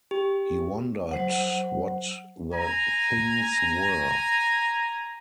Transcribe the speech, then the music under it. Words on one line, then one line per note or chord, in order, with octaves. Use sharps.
He wondered what the things were.
G4
F#3 C5 F#5
G#5 A#5